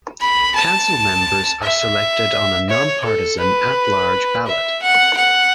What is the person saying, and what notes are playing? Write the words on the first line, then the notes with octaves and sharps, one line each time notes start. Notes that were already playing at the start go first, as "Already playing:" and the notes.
Council members are selected on a nonpartisan, at-large ballot.
B5
A5
E5
C#5
A4
B4
E5
F#5
F#5